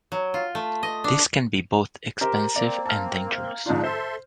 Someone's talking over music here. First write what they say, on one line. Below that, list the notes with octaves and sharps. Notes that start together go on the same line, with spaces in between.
This can be both expensive and dangerous.
F#3
F4
A3
D#5
D4
G4 A#4 C5 A#5
A#3 C4 D5
A5 F6
F5
G#2 F3 D4 D#4 F4
A4 C5 E5 C6